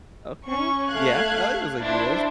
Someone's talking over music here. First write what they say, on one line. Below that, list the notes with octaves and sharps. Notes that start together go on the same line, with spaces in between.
Okay. Yeah, I like those ideas.
C#4 C#6
A3 F5 F#6 G#6
D4 E4 C5